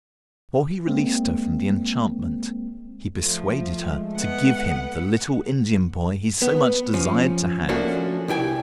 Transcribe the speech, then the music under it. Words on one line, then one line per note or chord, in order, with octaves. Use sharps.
And before he released her from the enchantment, he persuaded her to give him the little Indian boy he so much desired to have.
G#3 A#3 C4
F3 A3
G#3
B3 F#5
B3
F3 C#4
F3 A3 A#3 C#4 D4 F#4
C2 E4 G5 G#5